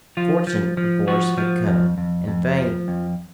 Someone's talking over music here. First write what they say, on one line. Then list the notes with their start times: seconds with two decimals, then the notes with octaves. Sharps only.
Fortune, of course, had come, and fame.
0.17 F3 F4
0.47 F3
0.77 F3
1.08 F3 F#4
1.38 F3
1.67 F2
1.98 F2
2.28 F2
2.58 F3
2.88 F2